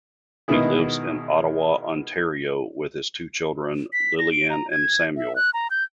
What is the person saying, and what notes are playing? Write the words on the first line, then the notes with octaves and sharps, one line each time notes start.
He lives in Ottawa, Ontario with his two children, Lilianne and Samuel.
B2 D#3 G#3 B3 E4 G#4
B6
A#6
D7
A#5
G#6
E5
F#6
A#5
G6